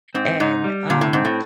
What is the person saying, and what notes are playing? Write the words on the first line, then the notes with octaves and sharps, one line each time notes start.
and, um,
G#2 C4
G#2 D#4
G3
A#2 D3
A2
G#2 C4
A2